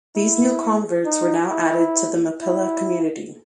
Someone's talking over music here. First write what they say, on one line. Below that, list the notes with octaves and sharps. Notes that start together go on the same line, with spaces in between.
These new converts were now added to the Mappila community.
E4
D#4
E4
E4